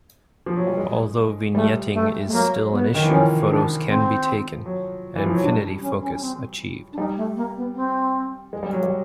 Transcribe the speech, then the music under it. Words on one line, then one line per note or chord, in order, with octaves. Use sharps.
Although vignetting is still an issue, photos can be taken, and infinity focus achieved.
F3
F#3
G3
G#3
G3 A3
A3
A3
F#3 A#3
B3
D#3
E3
F3 C#4
D4
C4
F#3
E3
F3
F#3
G3 D4
D4
C#4
C#4
C#4
C4
D4
G3 D#4
A3
A#3
B3
C4
G#3
G3
F#3
G3